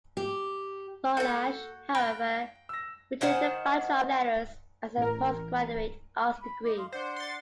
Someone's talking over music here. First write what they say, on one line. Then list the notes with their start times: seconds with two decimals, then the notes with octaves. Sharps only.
Monash, however, retained the Bachelor of Letters as a postgraduate arts degree.
0.17 G4
1.17 A#3 F#4 A4 G6
1.95 F5 G5 B5 F#6 A#6
2.69 E6 A#6
3.21 D#3 C5 F#5 G#5
4.98 A1 A#4
6.41 B5
6.64 D#4 D#5 D6
6.77 F5 C6 D#6
6.92 D4 C5 D5 F#5
7.16 C6 A6